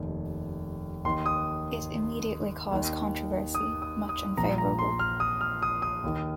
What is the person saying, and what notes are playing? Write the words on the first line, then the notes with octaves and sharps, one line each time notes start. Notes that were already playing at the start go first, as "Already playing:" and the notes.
It immediately caused controversy, much unfavorable.
Already playing: F1 D#2 D#3
D#2 D#3 C6
D#6
D#2 D#3
D#6
D#6
D#6
A#1 A#2 F3 A#5
A#5
C6
F6
D#6
F6
D#6
D#6
D#2 D#3